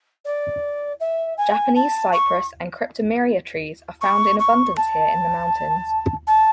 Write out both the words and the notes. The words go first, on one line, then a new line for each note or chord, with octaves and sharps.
Japanese cypress and cryptomeria trees are found in abundance here in the mountains.
D5
E5
G#5
A5
C#6
C#6
C#6
A5
A5